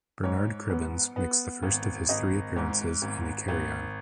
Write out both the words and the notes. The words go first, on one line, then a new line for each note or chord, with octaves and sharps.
Bernard Cribbins makes the first of his three appearances in a Carry On.
G#2 C#5
B3
B3
G#1
G#1 D#5
G#2
G#1
G#1